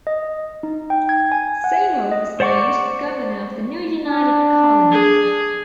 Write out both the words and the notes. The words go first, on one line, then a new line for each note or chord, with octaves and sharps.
Seymour was named governor of the new united colony.
D#5
D#4
G5
G#6
G#5
F#5
D#5
C5 D5 F#5 C#6 D6
D4
G#4